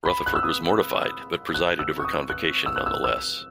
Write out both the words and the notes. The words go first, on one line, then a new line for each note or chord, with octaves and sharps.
Rutherford was mortified, but presided over convocation nonetheless.
B5
F#6
E6
D#6
F#6
E6
C#6
D#6
F#6
E6
F#6
E6
E6